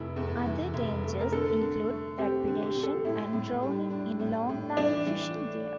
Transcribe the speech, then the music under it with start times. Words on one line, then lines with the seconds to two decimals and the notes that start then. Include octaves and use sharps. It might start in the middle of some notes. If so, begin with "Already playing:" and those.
Other dangers include rat predation and drowning in longline fishing gear.
Already playing: F1 A3 E4
0.16 E2
0.46 E3
0.74 F1
1.03 A3
1.21 A#4
1.32 D3 A4
1.61 D3
1.90 A3
2.18 C4 G4
2.47 D3
2.62 G4
2.76 D3
2.83 A4
3.05 A2 E4
3.33 A2
3.62 G3
3.90 D4
4.20 A2
4.49 A2
4.77 E3 D4
5.06 E3
5.35 A3